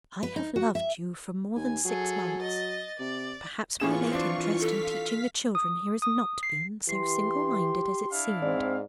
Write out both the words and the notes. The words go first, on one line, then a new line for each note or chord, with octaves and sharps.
I have loved you for more than six months! Perhaps my late interest in teaching the children here has not been so single-minded as it seemed.
B4
D#4
F#4
E5
D#2 G#5
F#3 G#4 A4
D#5 A6
C3 D5
A2 E3 A#3 F4 G#4 C#6 E7
C4 D4 F5
A4 F5 B6
D#6
D#6
C7
E3 G4 C6 C7
D4 E4 F5
G#2 C4 D5